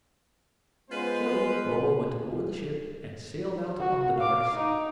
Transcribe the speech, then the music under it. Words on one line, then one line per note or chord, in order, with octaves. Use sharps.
So Bobo went aboard the ship, and sailed out upon the dark sea.
G#3 B3 C#4 F4 B4 C5
F#4
F5 D6
D#4